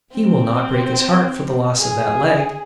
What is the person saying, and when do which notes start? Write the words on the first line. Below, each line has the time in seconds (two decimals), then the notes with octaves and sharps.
He will not break his heart for the loss of that leg.
0.12 C4
1.78 G#4